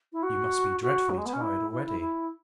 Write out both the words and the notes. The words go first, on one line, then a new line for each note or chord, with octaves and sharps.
'You must be dreadfully tired already.'
E4
F#4
F#4
F#3
G#3
B3
C#4
E4
E4
E4
E4